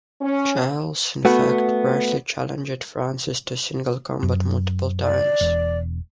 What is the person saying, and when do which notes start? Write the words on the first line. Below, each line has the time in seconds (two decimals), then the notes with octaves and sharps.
Charles, in fact, brashly challenged Francis to single combat multiple times.
0.21 C#4
1.25 A3 B3 F#4
4.23 F#2
5.02 D5
5.40 E1